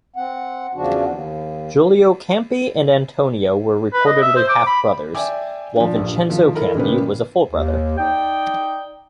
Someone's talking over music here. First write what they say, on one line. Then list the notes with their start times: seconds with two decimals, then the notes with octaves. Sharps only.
Giulio Campi and Antonio were reportedly half-brothers, while Vincenzo Campi was a full brother.
0.16 C4 F#5
0.74 E2 C#3 F3 D4 F#4
1.05 D#2
3.93 B4
4.06 D#5
4.21 E5
4.36 C5
4.49 D6
4.67 B5
5.15 D5 E5 G5 G#5 D6
5.76 F3 D4
5.96 A#1 G2
6.29 G#1 F3
6.55 E4 A4 A#4 A#5
6.75 A1 A#2 C#3 B4
7.49 D#2
7.97 D#4 D5 G5